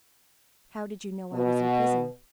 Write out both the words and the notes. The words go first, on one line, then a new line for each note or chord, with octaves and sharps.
"How did you know I was in prison?"
B2